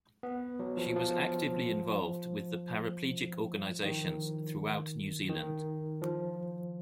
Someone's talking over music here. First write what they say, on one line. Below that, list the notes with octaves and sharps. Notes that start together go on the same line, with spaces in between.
She was actively involved with the paraplegic organisations throughout New Zealand.
B3
F#3
F3
F3
D#3
D#3
F3